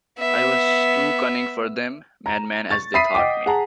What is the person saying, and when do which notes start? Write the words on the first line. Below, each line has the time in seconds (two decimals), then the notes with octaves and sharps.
I was too cunning for them, madman as they thought me.
0.19 B3 E5
2.26 A#5
2.71 C#6 A6
2.94 E5 B5 D#6 B6 C7 D#7
3.15 D#5 F#5 G5 D6
3.46 G#4 F#5 A5 A#5